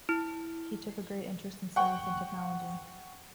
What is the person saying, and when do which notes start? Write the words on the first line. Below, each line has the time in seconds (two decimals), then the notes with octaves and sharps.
He took a great interest in science and technology.
0.09 E4
1.76 F#5 G5 C#6